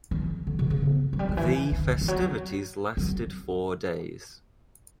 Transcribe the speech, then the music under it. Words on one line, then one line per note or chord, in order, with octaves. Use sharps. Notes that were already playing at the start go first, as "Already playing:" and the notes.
The festivities lasted four days.
E3
D3
B2
C#3
B3
F#3
G3
D3
E3
D3
E3
E3
F#3
F#3